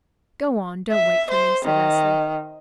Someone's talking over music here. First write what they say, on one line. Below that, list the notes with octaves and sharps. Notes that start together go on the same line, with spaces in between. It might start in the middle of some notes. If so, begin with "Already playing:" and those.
"Go on; don't wait for me," said Leslie.
E5
C5
D#3